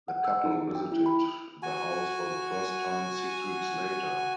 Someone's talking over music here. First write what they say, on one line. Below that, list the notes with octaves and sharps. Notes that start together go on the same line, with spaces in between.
The couple visited the house for the first time six weeks later.
F#5
E6
D#4
G5
E4
B5
F#4 G#5